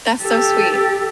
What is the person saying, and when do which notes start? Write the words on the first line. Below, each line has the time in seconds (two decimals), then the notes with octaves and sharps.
That's so sweet.
0.23 G4 A4